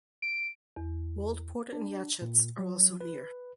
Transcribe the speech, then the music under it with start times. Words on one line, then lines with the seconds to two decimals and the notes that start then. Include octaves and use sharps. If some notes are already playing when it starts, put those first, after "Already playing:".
Waldport and Yachats are also near.
0.22 D7
0.76 E2
1.73 D4
2.22 A#2
2.59 F#3
3.01 B4